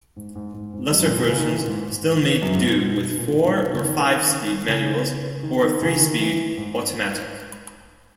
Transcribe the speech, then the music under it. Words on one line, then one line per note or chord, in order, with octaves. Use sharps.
Lesser versions still made do with four or five-speed manuals or a three-speed automatic.
G#2
G#2
G#2
G#2
F#2
A#2
B2
C#3
D#3
E3
A#2
G#2
F#2
G#2
B2
A#2
A#2
D#3
B2
C#3
D#3
C#3
D#3
D#3
C#3
D#3
E3
G#2